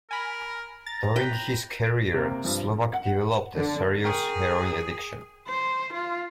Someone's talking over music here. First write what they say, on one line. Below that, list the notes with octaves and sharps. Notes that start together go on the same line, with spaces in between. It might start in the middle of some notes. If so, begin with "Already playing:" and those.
During his career, Slovak developed a serious heroin addiction.
A#4 G#5 B5
A#5 A6
B4 G5
D7
C3 A#3
G2 F3
F#5
D3
G#4 A#4 G5 C#6
C5
F4